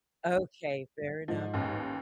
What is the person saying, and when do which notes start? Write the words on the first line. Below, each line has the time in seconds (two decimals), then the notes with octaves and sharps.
Okay, fair enough.
1.28 G#2 F3
1.54 A1 D#2